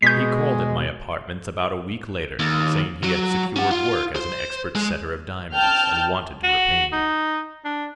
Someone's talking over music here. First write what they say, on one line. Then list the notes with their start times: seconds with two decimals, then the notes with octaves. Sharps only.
He called at my apartments about a week later, saying he had secured work as an expert setter of diamonds, and wanted to repay me.
0.02 B2 G#3 G6 B6
2.39 D#2
3.04 F#3
3.56 C#4 F#5
3.71 F4
4.16 C5
4.75 G#3
5.54 G5 A5 F6 G6
6.44 F#4
6.93 D#4
7.65 D4